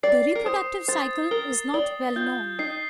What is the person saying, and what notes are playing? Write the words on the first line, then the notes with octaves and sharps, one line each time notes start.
The reproductive cycle is not well known.
D5 C7
A#4
C5 D#6
C5 A6
A#4 G7
D5 G7
F4 G6
D#4 C7